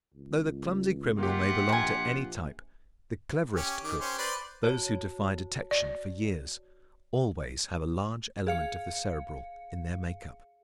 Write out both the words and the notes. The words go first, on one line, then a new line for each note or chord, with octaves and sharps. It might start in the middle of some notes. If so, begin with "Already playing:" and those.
Though the clumsy criminal may belong to any type, the cleverest crooks--those who defy detection for years--always have a large element of the Cerebral in their makeup.
C#2
A#3 F4 G4 E5 F#5
A#1 C3 G#5
C#4 G4
D#3 D6
C#4 G4 C5
B4 C5 D5
F#4 C#5 A5
D5
G#4 F5 C#7